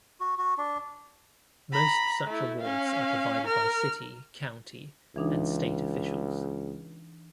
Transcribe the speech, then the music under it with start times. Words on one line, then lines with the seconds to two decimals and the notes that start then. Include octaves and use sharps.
Most such awards are provided by city, county and state officials.
0.20 F#4
0.38 F#4
0.58 D4
1.72 A#5 B5
2.27 A3 E4
2.61 C#4 F5
3.46 A#4 F6
5.16 C#2 E3 D4 D#4